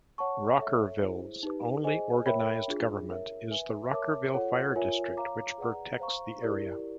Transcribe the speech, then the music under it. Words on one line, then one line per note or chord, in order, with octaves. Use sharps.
Rockerville's only organized government is the Rockerville Fire District, which protects the area.
C#5 F#5 A5 C#6
A4 C#5 E5
E4 G#4 C5
D#4 G4 B4
G#4 C5 D#5 G#5
A#4 C#5 E5 G5 B5
D4 F4 G#4
A#4 C#5 E5
B4 E5 G#5
A#4 C#5 E5 A5 D6
F4 A4 C#5 F#5
F4 A#4 C#5 E5 G#5
C#5 F5 A#5 D6
G#4 B4 D5 F#5 A#5
C5 F5 A#5 C#6
E4 G4 A#4 D5